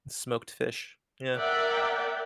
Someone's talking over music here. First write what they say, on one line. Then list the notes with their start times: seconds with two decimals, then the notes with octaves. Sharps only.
Smoked fish. Yeah.
1.37 A#4 D5 E5 F#5 G5